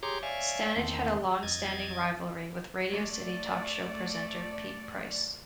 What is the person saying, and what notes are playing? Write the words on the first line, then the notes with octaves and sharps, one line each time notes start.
Stannage had a long-standing rivalry with Radio City talk show presenter, Pete Price.
G4 G#4 C#5 A#5 C6 D6
C#5 D5 E5 F5 G#5
E2 D#3 A3 C4
F2 D#5 G#6 A6
A3 D5